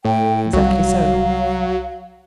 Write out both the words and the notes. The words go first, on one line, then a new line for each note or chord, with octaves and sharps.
"Exactly so."
A2 G5
C2 F#3 G3 F5